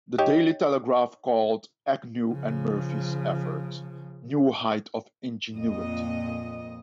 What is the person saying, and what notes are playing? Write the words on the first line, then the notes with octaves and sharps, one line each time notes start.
"The Daily Telegraph" called Agnew and Murphy's effort, "new heights of ingenuity".
D#4 G4 C#5
C#3 F3
F2 A#2 D#5